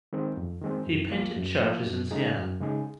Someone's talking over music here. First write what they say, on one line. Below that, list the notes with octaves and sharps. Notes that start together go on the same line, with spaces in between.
He painted churches in Siena.
D#3 G#3 C4
F2
D#3 G#3 C4
F#2
F3 A#3 F4
F#2
F3 A#3 F4
F#2
C#3 G#3 D#4 G#4
F#2
C#3 G#3 D#4 G#4